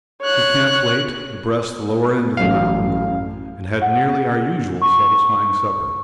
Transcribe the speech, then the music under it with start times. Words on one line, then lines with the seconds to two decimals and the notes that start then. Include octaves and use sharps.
We camped late, abreast the lower end of the mountain, and had nearly our usual satisfying supper.
0.22 C#5 F#6
2.37 A1 F#2 F5
3.82 F#5
4.82 C#6